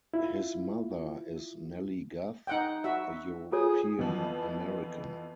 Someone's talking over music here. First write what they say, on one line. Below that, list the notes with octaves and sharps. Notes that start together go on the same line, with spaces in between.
His mother is Nellie Guth, a European-American.
E4 F4
D#4 F#5 G5
F#4 E5
F4 G#4 A4 C#5
F2 E3 F3 B3